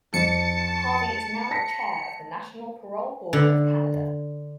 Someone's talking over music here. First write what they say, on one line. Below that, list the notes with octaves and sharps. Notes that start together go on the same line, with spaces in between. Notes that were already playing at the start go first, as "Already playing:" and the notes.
Harvey is now the Chair of the National Parole Board of Canada.
F2 A5 C#7
A5 A#6 B6
D3